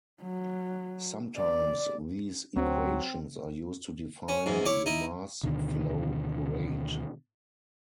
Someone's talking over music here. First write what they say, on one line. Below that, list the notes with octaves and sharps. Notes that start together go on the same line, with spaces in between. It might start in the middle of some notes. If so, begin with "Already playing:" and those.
Sometimes these equations are used to define the mass flow rate.
F#3
D5
D2 F#3 C4
C#4
E2 G#2
E4 C#5 D6
D#4 E4
D2 B2 D3 D#3